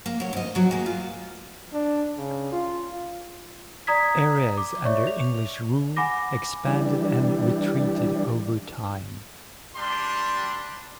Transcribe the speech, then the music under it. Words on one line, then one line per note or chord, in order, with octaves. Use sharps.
Areas under English rule expanded and retreated over time.
A#3
F#3 C#5
D2 D#5
F#3 F#4
G#3 A#3
F4
D4
C#3
F4
D5 A#5 D#6 G#6 B6
D6
C#5 D5 E5 C#6
F7
F#5 G#5 B5 D6 A#6
E3 G3 D4
G3 D4 C6